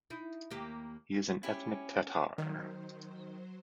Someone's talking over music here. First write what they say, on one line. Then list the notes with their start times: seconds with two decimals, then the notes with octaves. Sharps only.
He is an ethnic Tatar.
0.10 D#4 E4
0.50 D#2 A#3 G4
1.43 C#4 E4 G4 G#5
2.38 D#3 F#3 C5